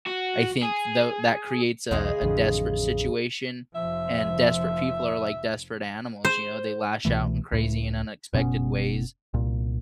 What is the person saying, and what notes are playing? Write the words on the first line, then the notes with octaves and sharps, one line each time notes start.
I think tho that creates a a desperate situation, and desperate people are like desperate animals, you know, they lash out in crazy and unexpected ways
F#4
G#4
B1 E2 C#3 G#3 G#4
A1 F2 D3
F1 F3 E5
C5
C2 B2 E3 A3
C#2 A2
F#1 B2 B3 C#4
C2 A#2